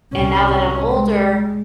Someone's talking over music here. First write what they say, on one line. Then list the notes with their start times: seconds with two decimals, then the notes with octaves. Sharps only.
and now that I'm older,
0.12 C2 C#4
0.93 G#3